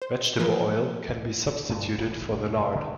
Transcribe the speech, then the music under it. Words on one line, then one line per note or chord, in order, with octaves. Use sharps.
Vegetable oil can be substituted for the lard.
C5
E3 F3 A#3 G#4 A#4 B4
G2 A#2 D3
D1
E3
E1 B2
G2 C3
D3 D#3 F#3 G3